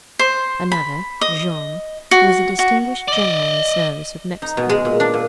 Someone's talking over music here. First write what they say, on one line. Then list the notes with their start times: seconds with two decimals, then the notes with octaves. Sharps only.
Another, Jean, was a distinguished general in the service of Mexico.
0.19 C5
0.72 B5
1.21 D#5
2.11 F#4
2.59 F#4
3.08 D5 D#5
4.42 D#4
4.57 B2
4.69 G#3
4.85 A#2
5.00 D4
5.14 A#2